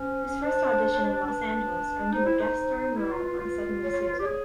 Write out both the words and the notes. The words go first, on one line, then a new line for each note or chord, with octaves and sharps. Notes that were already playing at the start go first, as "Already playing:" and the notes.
His first audition in Los Angeles earned him a guest-starring role on "Suddenly Susan".
Already playing: C#4 C5
D4 C5
D4 B4
D#4 C5
E4
D#4
E4 B4
F4
F4
F4
C#5
C#5
C#5
B4
G4 D5
G#4 C#5